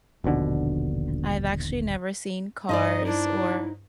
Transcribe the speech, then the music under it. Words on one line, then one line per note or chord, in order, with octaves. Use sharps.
I've actually never seen Cars or,
D#1 A#1 B2 D3
G2 D#4 C5 D5 D#5
D4 E4